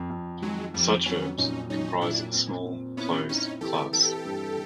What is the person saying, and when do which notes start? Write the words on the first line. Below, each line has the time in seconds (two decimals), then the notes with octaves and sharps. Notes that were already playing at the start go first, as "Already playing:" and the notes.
Such verbs comprise a small closed class.
Already playing: F2
0.10 F2
0.42 D#3 F#3 G#3
0.74 F2 F3 G3
1.06 F#3 B3 C#4
1.38 A#2 C#4 D#4
1.69 F#3 C#4 D#4
2.01 A#2 D4 E4
2.33 C4
2.65 C4
2.97 B3 C#4 E4
3.29 C4 C#4 D#4
3.61 E3 G4 A4
3.93 E3 G4 A4
4.25 G2